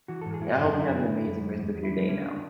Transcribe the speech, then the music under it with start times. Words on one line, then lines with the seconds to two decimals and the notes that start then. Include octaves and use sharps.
and I hope you have an amazing rest of your day now.
0.08 E3 F#4
0.21 G#2 A4
0.34 G#4
0.42 G#2 E4 F#4
0.59 F#2 E4
0.69 D4
0.76 F#2 E4
0.92 D3
1.09 D3
1.26 F#2
1.42 F#2
1.58 E2
1.75 E2
1.83 E4
1.92 D3
2.09 D3 C#4
2.25 D4